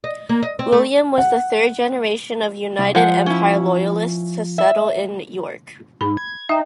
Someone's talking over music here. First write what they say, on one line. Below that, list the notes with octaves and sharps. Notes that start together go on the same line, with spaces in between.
William was the third generation of United Empire Loyalists to settle in York.
D#5
A#3
D#5
C4
A3
F#5
C2
F3 G#3 F#5
C#4 E4
E5
G#2 B5
G#6
D#4 E5 G5